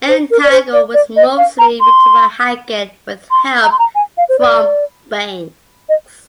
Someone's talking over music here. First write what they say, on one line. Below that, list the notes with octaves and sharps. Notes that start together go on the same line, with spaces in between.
"Entangled" was mostly written by Hackett, with help from Banks.
C5
A#4
D5
C5
D5
D5
D#5
F5
A#5
C6
C6
A#5
C6
A#5
G#5
F5
C5
D5
D#5